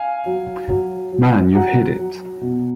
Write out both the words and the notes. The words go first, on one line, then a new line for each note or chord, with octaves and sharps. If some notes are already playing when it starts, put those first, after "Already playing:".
Man, you've hit it!
Already playing: F5 G#5
F#3
F#3
F#3
F#3 F#5 A#5
F#3
B2